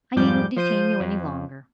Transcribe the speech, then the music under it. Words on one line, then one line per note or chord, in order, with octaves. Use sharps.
I needn't detain you any longer.
F2 G#2 F3 G3 D6 G6
F3 C5 G6 D#7
F2